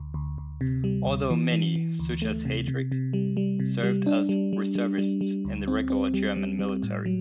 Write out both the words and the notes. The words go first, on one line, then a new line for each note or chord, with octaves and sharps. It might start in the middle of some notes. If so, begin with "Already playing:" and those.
Although many, such as Heydrich, served as reservists in the regular German military.
Already playing: D2
D2
D2
C3
G3
D2
E3
E3
E3
D2
A3
C3
C3
C3
G3
G3
C3
G3
D4
G3
G3
G3
G3
G3
D2
C4
C4
G3
G3
G3
A2
F#3